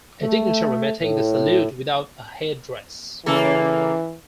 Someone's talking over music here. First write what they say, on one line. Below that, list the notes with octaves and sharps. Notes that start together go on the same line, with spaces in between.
A dignitary may take the salute without a head dress.
A3
A2
C#3 E3 A#3 A4